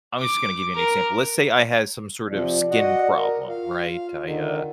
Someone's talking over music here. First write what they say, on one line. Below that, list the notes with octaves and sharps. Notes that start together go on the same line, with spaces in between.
I'm just gonna give you an example, let's say I had some sort of skin problem, right? I, uh,
D6
A#4
C3 F3 D5
F#4 D#5 F#5
A#4
F4 F5
D3 D#3